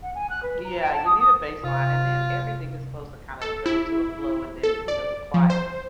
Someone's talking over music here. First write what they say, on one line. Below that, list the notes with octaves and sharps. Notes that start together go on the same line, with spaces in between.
Yeah, you need a baseline, and then everything is supposed to kinda go to a flow and then, you know, the plot
F#5
G#5
F#6
B4
A#5
G5
A5
D#6
D#6
C3 F4
A4
E4
A4
D5
F3
C5